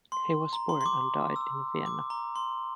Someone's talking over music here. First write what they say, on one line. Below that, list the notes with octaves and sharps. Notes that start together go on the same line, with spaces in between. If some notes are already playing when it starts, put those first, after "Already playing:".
He was born and died in Vienna.
C6
A#5
C6
C6
D6
E6
D6
A#5
C6